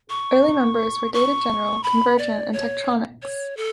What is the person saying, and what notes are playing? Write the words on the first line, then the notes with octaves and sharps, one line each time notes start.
Early members were Data General, Convergent and Tektronics.
C#6
C#6
B5
D5
C#5
C#5
A4